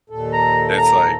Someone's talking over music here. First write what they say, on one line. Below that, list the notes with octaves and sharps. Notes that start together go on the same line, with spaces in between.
It's, like,
D#2 A#2 A4
A#5
A#5